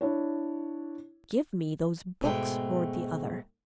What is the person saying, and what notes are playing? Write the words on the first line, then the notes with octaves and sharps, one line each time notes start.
"Give me those books!" roared the other.
D4 E4 C#5
G#2 B2 G#3 A3 G5